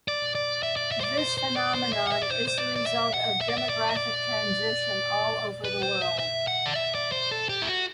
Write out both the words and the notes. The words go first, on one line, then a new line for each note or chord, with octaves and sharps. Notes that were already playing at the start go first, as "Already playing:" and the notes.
This phenomenon is the result of demographic transition all over the world.
D5
D5
E5
D5
E5
C5
D5
C5
C5
D5
C5
E5
F#5
E5
D5
C5
C5
D5
D5
E5
F#5
E5
D5
E5
D5
E5
D5
B4
C5
E5
E5
F#5
D5
E5
D5
C5
A4
G4
E4
F#4